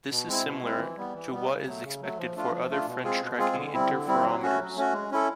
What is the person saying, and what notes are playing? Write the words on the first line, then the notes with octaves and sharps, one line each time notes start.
This is similar to what is expected for other fringe tracking interferometers.
B2
G#3 C4 E4
B2
G#3 C4 E4
E3
G3 B3
E3
G3 B3
C#3
F#3 A3
C#3
F#3 A3
F3
A3 D4 F4
F3
A3 D4 F4
B2
G#3 C4 F4 G#4
B2
G#3 C4 F4 G#4
D3
G3 C4 E4
D3
G3 C4 E4
F#3
A3 C#4 F#4
F#3
A3 C#4 F#4
G#3
C#4 E4 A4